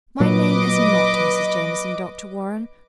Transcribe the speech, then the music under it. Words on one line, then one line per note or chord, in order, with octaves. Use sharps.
My name is not Mrs. Jameson, Dr. Warren.
A#2 F#3 B4 D#5 D6